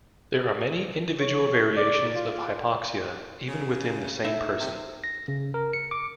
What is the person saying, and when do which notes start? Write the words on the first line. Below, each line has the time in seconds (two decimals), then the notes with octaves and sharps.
There are many individual variations of hypoxia, even within the same person.
1.20 C#5
1.77 D5
2.15 F4
3.48 C#3
4.25 D#4 E5
4.60 C3
5.04 A#6
5.28 C#3
5.54 A#4
5.73 C#7
5.91 D6